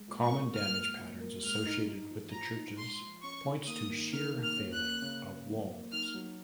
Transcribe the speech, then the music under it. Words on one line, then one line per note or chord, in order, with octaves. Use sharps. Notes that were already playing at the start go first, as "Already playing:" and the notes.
Common damage patterns associated with the churches points to shear failing of walls.
Already playing: G#3
A#2
C#6
A#4
A#2 F6
G#3
A#2
A#4
G#3 F6
D#4
D#4
F3
F3 A#5
D#4
G#3 C6
F3
C#4 C#6
D#3
A#3 D#6
D#3
D#3 F6
A#3
F6
C#4
F#6
A#3
C#3
A#3
F#3
A#3
D#4 F6
F#3